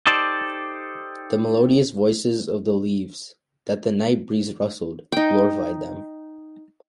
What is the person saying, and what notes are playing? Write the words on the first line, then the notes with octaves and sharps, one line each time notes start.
The melodious voices of the leaves, that the night breeze rustled, glorified them.
D#4 G4 A4 C5 D5
D#4 G5